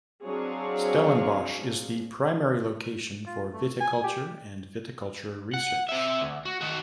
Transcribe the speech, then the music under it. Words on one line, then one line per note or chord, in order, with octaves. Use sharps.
Stellenbosch is the primary location for viticulture and viticulture research.
F#3 C4 D4 G#4 C#5 F5
F4
A3
G#5
G4
F#5
C4 E5
D2
F#4
D#3 F#4